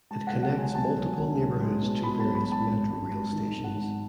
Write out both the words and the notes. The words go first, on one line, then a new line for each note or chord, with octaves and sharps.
It connects multiple neighborhoods to various Metrorail stations.
G#3 A5
F#5
B1
F#5
G#3 G#5
B1 A5
B1
B1
B1
G#3
B2
G#3 B5
B1 A5
B5
G#3
A5
G#1
G#1
G#1
D#3
G#1
F#5
G#1